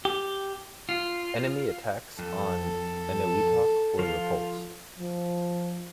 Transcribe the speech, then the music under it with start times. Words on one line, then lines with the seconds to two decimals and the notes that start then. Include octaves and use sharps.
Enemy attacks on Eniwetok were repulsed.
0.05 G4
0.89 F4
2.19 F2 A4
3.99 F3 F4
4.99 F3